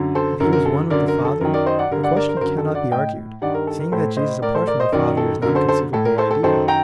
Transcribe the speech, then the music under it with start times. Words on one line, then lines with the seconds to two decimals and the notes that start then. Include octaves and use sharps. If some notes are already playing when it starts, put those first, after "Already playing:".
If he was one with the Father, the question cannot be argued, seeing that Jesus apart from the Father is not a conceivable idea.
Already playing: F#2 D3
0.15 A4 C5
0.40 F#2 D3 A#4
0.53 A#4
0.66 A4
0.90 F#2 D3 A#4 D5
1.08 A#4
1.25 A4
1.41 F#2 D#3 A#4
1.54 A#4 D5
1.66 C5 D#5
1.79 D5 F#5
1.91 G2 D3 A#4
2.03 D5 F#5
2.16 A#4 D5
2.29 A#4
2.37 C5
2.41 F#2 D3 A#4
2.58 A4
2.75 D5 F#5
2.91 A2 D#5 G5
3.42 G2 D#3 D5 F#5
3.54 A#4
3.67 A4
3.80 A#4
3.92 A2 A4 C5
4.17 C5 D#5
4.42 A2 A#4 D5
4.55 A4 C5
4.67 A#4 D5
4.80 C5 D#5
4.92 F#2 D#3 A#4 D5
5.17 A4
5.42 F#2 D3 A#4
5.55 A4 C5
5.69 A4 C5
5.93 A2 A4
6.05 A#4
6.18 A4 C5
6.31 A4
6.43 F#2 D#3 A4 C5
6.68 G5 A#5